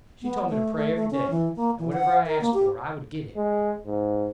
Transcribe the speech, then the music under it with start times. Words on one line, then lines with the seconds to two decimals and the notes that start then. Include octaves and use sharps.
She told me to pray every day, and whatever I asked for I would get it.
0.22 B3
0.49 A3
0.75 A3
0.96 A3
1.11 C#4
1.30 E3
1.56 A#3
1.79 E3
1.93 F#5
2.26 A#4
2.41 A#3
2.54 G4
3.36 G#3
3.86 G#2